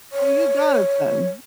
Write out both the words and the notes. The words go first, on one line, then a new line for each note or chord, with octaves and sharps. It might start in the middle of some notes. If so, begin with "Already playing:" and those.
Oh, you got it then.
C#5